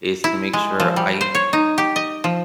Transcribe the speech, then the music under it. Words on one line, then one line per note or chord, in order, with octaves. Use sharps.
is to make sure I
E4
G#3
F3
G3
C5
C#5
D#4
G4
D#5
F3